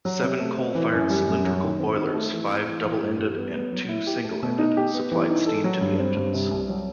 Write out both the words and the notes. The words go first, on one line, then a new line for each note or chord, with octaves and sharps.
Seven coal-fired cylindrical boilers, five double-ended and two single-ended, supplied steam to the engines.
F#3
C3
A3
C4
E3
F#2
G3
F#2
F#3
D#3
C4
D#4
A3
E3
C4
E3
E3
G2
G3
B3
B3
F#3
E4
G4
A3
B2
D#4
G4
B3
E3
D#4
A4
F#3
G2
C4
G2
C3
C2
F#3